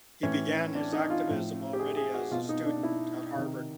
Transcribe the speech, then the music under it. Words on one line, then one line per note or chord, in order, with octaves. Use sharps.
He began his activism already as student at Harvard.
A2 E3 C#4
D4
D#4
F4
A2 F3
G4
G#4
G#4
F#4
B2 F4
D#4
D4
E4
C3 D#3